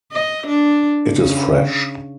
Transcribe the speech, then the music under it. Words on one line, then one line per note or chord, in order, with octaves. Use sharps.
It is fresh.
D#5
D4
C#3